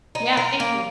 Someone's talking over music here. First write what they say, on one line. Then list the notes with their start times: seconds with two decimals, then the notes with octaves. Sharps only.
Yeah, thank you.
0.15 D#4
0.37 A#4
0.60 A#3